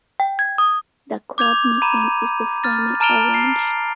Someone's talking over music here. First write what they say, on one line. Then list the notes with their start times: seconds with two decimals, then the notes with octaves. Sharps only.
The club nickname is the flaming orange.
0.20 G5
0.39 G#6
0.58 D#6
1.38 D6 G6 G#6 F7
1.82 A#5 B5 D#7
2.64 F6 A6
3.00 A5 A#5 F6 D7 F7 G7
3.34 C7